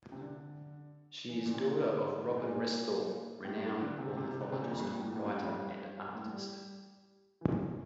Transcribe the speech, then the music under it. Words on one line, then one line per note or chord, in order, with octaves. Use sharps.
She is daughter of Robin Restall, renowned ornithologist, writer and artist.
C3
D3
E3
A#2
C3
D3
A#2
A2
G2
A2
D3
C3
C3
C3
D3
C3
A#2
F2
G2
A#2
A2
A#2
A2
G2
A2
F2
G2
G2
A2
G3
E3
C3